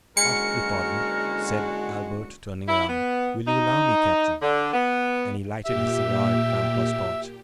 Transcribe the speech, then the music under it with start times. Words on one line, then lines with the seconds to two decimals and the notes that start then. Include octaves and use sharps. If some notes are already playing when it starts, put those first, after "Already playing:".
"Ah, your pardon," said Albert, turning round; "will you allow me, captain?" And he lighted his cigar at Vampa's torch.
0.17 F#1 D3 G#3 F#4 A#4 C#7
2.68 E4
2.89 B3
3.47 D#4
4.42 D3
4.74 B3
5.65 A#2 G4 E5